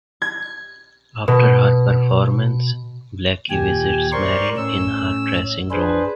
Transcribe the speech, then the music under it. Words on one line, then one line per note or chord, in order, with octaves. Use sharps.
After her performance, Blackie visits Mary in her dressing room.
G#6
B2
D#2 A#2 G4 G#5
A#4 C5 D5 C6 C#6
A2 C#4 E6
D4 G#4 B4 C5